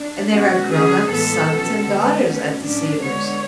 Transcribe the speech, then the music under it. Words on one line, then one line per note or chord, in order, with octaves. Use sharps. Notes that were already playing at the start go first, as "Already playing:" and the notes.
And there are grown-up sons and daughters at the Cedars.
Already playing: D4
B2 G#3 C#4 F#4
D3 F#3 A3 C#4 G#4
A2 E3 G#3 B3 A4
B2 G#3 C#4
D3 G#3 B3
B2 A3 C#4
A2 F#3 C#4 D4
D3 G#3 B3 C#5